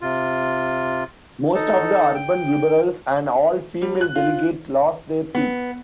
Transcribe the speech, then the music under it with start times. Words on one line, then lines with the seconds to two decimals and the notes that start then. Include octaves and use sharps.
Most of the urban liberals and all female delegates lost their seats.
0.01 C3 F4
1.55 D#4 A4
2.15 G5
3.82 G3
4.01 F#6
4.16 F4
5.35 B3